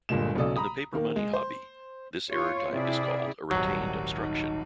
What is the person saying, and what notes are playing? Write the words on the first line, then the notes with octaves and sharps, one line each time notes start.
In the paper money hobby, this error type is called a retained obstruction.
G1 A#2 D3 G#3 E7
B1 C#3 F#3 A4 D5 D#6
A#5 B5 D#6
D#3 A#3
G#3
C5
F4 C#5
C3 E4 G#4 D5
D#1 G#1 F#3 G3
D#4